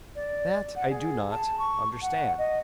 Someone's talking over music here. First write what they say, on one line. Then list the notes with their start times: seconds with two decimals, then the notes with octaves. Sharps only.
That I do not... understand.
0.15 D5
0.76 F#5
0.90 G#4
1.31 A5
1.59 C#6
2.02 F#5
2.38 D#5